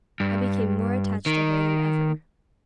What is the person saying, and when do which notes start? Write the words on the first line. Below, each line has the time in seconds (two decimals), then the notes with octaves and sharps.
I became more attached to her than ever.
0.20 G2
1.26 D#3